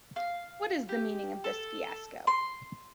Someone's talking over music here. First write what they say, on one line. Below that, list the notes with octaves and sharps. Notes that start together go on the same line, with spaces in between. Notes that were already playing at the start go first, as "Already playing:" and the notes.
What is the meaning of this fiasco?
F5
G4
A4
C6